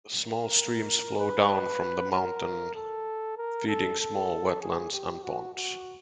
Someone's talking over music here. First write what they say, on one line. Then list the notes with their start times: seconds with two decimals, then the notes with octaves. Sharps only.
Small streams flow down from the mountains feeding small wetlands and ponds.
0.24 A#4
1.18 B4
2.12 A#4
2.75 A4
3.37 A#4
3.68 A4
3.99 A4
4.62 G#4
4.93 G4
5.23 F#4
5.55 F#4